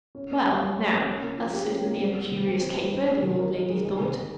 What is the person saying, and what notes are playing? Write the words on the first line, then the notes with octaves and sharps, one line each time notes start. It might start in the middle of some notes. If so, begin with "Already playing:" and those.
"Well, now, that's certainly a curious caper," the old lady thought.
C#4
A#3
G3
G3
C#4
A#3
C#4
A#3
F3
G4
C#4
A#3
C4
G3
D#3
G4
C4
G3
D#4
G#3
D#3
A#4
D#4
G#3
G#3
D#3